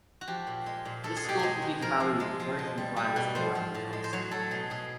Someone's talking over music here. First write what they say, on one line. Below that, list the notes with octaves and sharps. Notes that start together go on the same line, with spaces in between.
This score can be devalued if very few gliders get around the task.
F#4
F3 G4
A#2
G#3
A#2
G#3 A4
G#4
B2 G4
G#3 G#4
B2
F3 A#4
F3
G#3
F3
B2
G3
G3
B2
F3 C5
F3
A2
G#3
C5
F#3 C#5
F#3 A4
B2 G#4
B2 G#4